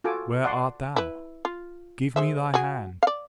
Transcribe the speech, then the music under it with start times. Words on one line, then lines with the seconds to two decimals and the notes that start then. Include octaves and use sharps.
Where art thou? Give me thy hand!
0.04 F4 F#4 A4 G#5 D6
0.45 D5 F#5 A5 C6 D6
0.96 E4 B4
1.45 F4
2.16 G#3 C5 E5
2.54 F#4 G#4
3.03 D5 F5